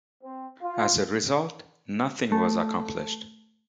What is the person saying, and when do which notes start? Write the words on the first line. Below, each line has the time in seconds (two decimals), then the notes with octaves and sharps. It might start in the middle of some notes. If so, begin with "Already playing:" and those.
As a result, nothing was accomplished.
0.22 C4
0.62 F4
2.32 A3